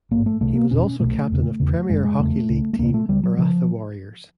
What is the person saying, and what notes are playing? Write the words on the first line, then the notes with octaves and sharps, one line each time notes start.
He was also captain of Premier Hockey League team Maratha Warriors.
A1 G#2 A#3
A3
C2 C3 A3
A#3
E1 E2 B2 C#4
B1 B2 A3
E1 E2 C#3
E1 E2 C#3
F#1 F#2 C#3 G#3
G#3
F1 E2 C#3 A3
C#2 C#3
A3
D2 C3 A#3
A3
C#2 C#3 G3
F#3
C#3 F3